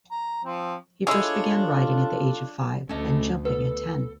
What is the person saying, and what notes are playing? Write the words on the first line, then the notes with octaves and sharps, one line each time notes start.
He first began riding at the age of five and jumping at ten.
A#5
F3 C4
G#3 D4 E4 F4 G#4 A4 C#5
D2 A3 C#4 A4 D#5
B3 A4 B4